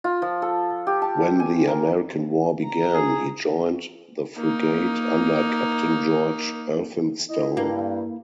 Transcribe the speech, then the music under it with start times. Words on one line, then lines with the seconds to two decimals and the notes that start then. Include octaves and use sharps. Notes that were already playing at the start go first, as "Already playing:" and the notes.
When the American War began, he joined the frigate under Captain George Elphinstone.
0.04 F4
0.22 F3
0.42 A4
0.87 G4
1.02 A5
1.40 G#5
1.68 A#4
2.65 A#5
2.93 G#4
4.37 A#3 D#4
7.29 E4 D#5
7.57 G2 A#3